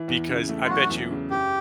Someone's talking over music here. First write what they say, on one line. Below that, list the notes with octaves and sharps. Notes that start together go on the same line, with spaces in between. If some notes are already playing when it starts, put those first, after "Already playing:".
Because, I bet you,
Already playing: E3
E2
C#3
A3
F4
F#3 F#4
E2
C#3
F#1 G4